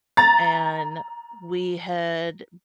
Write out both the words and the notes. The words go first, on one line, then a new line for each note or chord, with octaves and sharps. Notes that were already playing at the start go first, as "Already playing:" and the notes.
And we had
A#5 A6